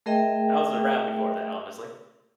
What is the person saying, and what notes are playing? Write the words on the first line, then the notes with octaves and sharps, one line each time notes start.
I was around before that, honestly,
A3 G#4 A#4 D#5 E5 G5